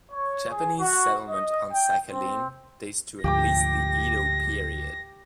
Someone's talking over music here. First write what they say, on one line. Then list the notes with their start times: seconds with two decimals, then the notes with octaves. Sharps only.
Japanese settlement on Sakhalin dates to at least the Edo period.
0.11 C#5
0.50 G#4
0.79 F#4
1.29 D#5
1.70 G5
2.10 C4
3.24 D2 G#2 F3 G4 G5 D6 A#6